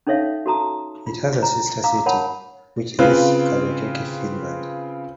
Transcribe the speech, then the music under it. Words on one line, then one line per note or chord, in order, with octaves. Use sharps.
It has a sister city, which is Kalajoki, Finland.
C#4 D#4 A4 C#5 E5 F5
F#4 A4 A5 A#5 D#6
F4
A#5
F5 A#5 D6 E6
A#4 C#5 F#5 A5 B5
C#3 C4 F4 B4